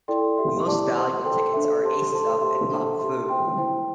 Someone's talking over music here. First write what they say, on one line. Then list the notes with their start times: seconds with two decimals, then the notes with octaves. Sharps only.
The most valuable tickets are Aces Up and Pop Fu.
0.08 E4 A4 D5 G5 C6
0.37 G4 E5 C6
0.67 E4 G4 D5 A5 D6
0.95 C5 A5 C6
1.24 A4 C5 G5 C6
1.53 D4 A4 E5
1.82 G4 C5 A5 C6
2.12 A4 C5 A5 C6
2.41 G4 C5 E5 C6
2.70 D4 A4 E5 A5
2.99 G4 E5 C6
3.29 C5 E5 G5 C6
3.57 E4 C5 G5